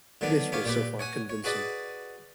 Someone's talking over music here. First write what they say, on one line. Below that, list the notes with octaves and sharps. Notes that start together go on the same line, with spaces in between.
This was so far convincing.
D3 D#3 F#3 B3 D4
B3 G4 C#5 F5
A#2 G4 B4
C#5 F#5 G#5
C#5
F#4 G#4 B4 D5 D#5